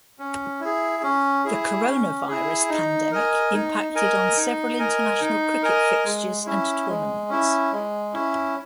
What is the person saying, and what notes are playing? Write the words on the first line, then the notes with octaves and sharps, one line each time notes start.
The coronavirus pandemic impacted on several international cricket fixtures and tournaments.
C#4
E4 G#4
C#4
E4 G#4
C#4
E4 G#4
D#4
A#4 D#5 G#5
D#4
A#4 D#5 G#5
D#4
A#4 D#5 G#5
D#4
A#4 D#5 G#5
G#3
C#4 E4
G#3
C#4 E4
G#3
C#4 E4